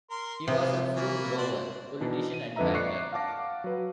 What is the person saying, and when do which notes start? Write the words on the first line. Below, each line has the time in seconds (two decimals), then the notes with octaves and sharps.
He was a fruit-grower, politician and banker.
0.10 A#4 C6
0.48 C3 G#3 A#3 B3
0.96 E3 A#3 C#5
1.37 F#4 C5 D5
2.00 B2 E3 D4 D#4
2.34 D#7
2.56 F2 D3 B4 D#5 E5 A#5
2.74 D5 C#6 D6 F#6 C7 C#7
3.12 F5 F#5 A5 D6 A#6
3.64 F#3 B4